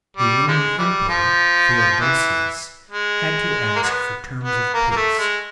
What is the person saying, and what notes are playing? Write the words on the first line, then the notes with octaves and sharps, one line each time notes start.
The Roman Emperor Theodosius had to ask for terms of peace.
G3
F3 G#3
E3 G3
F3
E3
G#3
A#3
F#3 G#3 B3
B3
A#3
A#3
A3
G#3